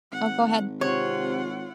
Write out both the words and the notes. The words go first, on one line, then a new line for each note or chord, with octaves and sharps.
Oh, go ahead.
G#1 F#5
C3 F4 C#5 F#5